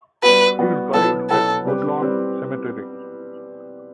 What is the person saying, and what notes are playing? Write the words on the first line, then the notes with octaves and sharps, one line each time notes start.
He is buried at Woodlawn Cemetery.
G3 B3 F#4 B4
G3 B3 F#4
B2 F#3 B3 E4 A4 B4
B2 F#3 B3 E4 A4 B4
G3 C4 G4 B4
G3 C4 G4 B4